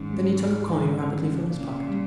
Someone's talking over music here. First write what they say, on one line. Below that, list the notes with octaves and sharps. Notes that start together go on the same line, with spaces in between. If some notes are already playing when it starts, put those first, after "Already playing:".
Then he took a coin rapidly from his pocket.
Already playing: G#2 D#3 C#4
G3
G#4
D#3
C#4
A#2 C#3
C#4
G3